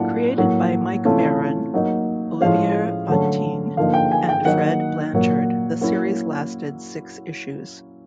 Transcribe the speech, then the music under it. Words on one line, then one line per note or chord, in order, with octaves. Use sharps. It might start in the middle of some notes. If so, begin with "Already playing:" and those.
Created by Mike Baron, Olivier Vatine, and Fred Blanchard, the series lasted six issues.
Already playing: A2 F#3 A#3 D4 F4 F#5
A2 F#3 A#3
C3 E3 A3 C#4 F4
F#3 A#3 D#4
A2 F3 G#3 C#4 F5
D3 F#3 A3 C#4
D3 F3 A#3 D#4 F5
G5
G#5
G5
D#3 F#3 A#3 D#4 F#5
A#2 F#3 A#3
F#3 A#3 C#4 E4